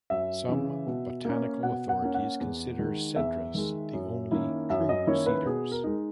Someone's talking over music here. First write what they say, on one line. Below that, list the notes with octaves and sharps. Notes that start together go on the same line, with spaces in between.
Some botanical authorities consider "Cedrus" the only "true cedars".
F#2 E5
C#3 E3
B2
A#3 C#4
B2 F#5
F#5
A#3 C#4
F#5
E2
D#3 G#3
E2 E5
D#3 G#3
F#2
D#3 A#3 C#4 E4
F#2 E5
D#5
D#3 A#3 C#4 E4 C#5
B4
B2 G#4
A#4
G#3 D#4